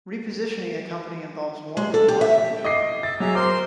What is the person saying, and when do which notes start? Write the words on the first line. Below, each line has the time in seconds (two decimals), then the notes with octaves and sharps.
Repositioning a company involves more than a marketing challenge.
1.77 G#3
1.94 A4
2.08 G4
2.21 E5
2.64 D#5 D6 C7
3.03 E5 A6
3.20 F#3 G#4 E5 A#5
3.35 A#4 C5 C6 D6